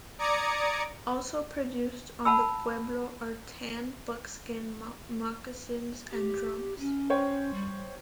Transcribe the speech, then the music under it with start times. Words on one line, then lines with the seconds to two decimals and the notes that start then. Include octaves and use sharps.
Also produced on the pueblo are tanned buckskin moccasins and drums.
0.19 D5 A#5 D6 D#6 G#6 C#7
2.25 F#5 A5 B5 E6
6.11 G4
6.79 C#4
7.10 C5 C#5 G5
7.54 G3